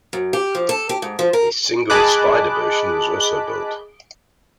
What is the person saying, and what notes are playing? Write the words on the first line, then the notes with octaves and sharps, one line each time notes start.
A single spyder version was also built.
F#2
G4
F3
A4
G4
G#2
F3
A#4
G#4 D#5 A5 B5 D6 F#6